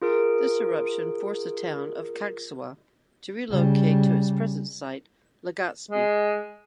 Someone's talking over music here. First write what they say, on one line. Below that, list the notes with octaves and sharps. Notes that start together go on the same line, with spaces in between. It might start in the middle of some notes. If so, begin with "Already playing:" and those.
This eruption forced the town of Cagsawa to relocate to its present site, Legazpi.
F4 G#4 A#4 D7
C#3 G3
G#3